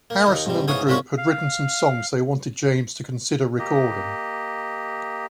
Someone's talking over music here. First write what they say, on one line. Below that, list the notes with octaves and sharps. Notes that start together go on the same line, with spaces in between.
Harrison and the group had written some songs they wanted James to consider recording.
A#3
D#2 D#4
G#2 C3 G3
G#2 E3 B3 C#5 F5 D#6
C2 G#2 F3 C#4 F#4 D5
F5
A#3 G4 D#5